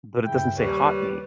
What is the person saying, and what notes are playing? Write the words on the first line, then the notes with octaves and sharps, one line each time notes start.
But it doesn't say, "hot meat."
G2 C#3 E4 G5
D#2 G3 B4 C#5